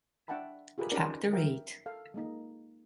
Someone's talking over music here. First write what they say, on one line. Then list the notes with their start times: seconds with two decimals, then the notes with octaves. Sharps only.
Chapter eight.
0.28 D4 E5 F#5 G5 A5 B5
0.78 F4 G4 G#4 A#4 B4 B5
0.92 C#4 D#4 G4 A#4 B4 D5
1.32 A#4 B4 E5 G5
1.86 A4 F5
2.14 G#3 A#3 D#4